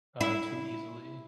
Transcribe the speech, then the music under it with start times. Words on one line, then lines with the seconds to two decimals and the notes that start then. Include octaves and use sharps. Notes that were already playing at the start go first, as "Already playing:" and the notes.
uh, too easily.
0.21 E4